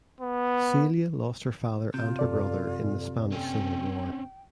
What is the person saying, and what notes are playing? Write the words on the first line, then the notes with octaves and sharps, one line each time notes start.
Celia lost her father and her brother in the Spanish Civil War.
B3
C3 F4 G6
F#2 A4 D5
C4 C#4 G5